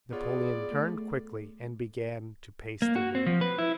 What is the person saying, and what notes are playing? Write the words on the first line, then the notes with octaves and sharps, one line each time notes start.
Napoleon turned quickly and began to pace the room.
B3 F4 G#4 C#5 D5
A3
A#3
F#4
C4
F3
B4
E4